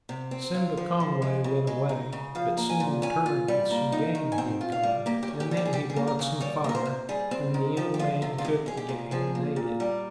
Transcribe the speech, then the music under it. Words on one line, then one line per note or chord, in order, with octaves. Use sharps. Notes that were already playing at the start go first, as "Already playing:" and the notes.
Simba Kongway went away, but soon returned with some game he had caught, and then he brought some fire, and the young man cooked the game and ate it.
C3
C4
F4
F3
F3
G#3
C#3
G#3
D#4
C#3
F3 F5
A#3
G#5
A#2
C#4 G#5
F4
G3
A#3
D#4
D#3
G#5
C4 G5
F4
F5
G3
A#3 G4
G4
C#4
G4
G3
G4
G#4
G3 G4
G#4
A#3
A#4
C#3
G3 C#5
A#3 A#4
C5
C3
G3 G#4
C4
D#3
F3 G4
G4
G#3 F4
C3 F4
F4
G#3 G4
C#4 G#4
G4
A#2
F3 G#4
A#3
A#2
G3 A#4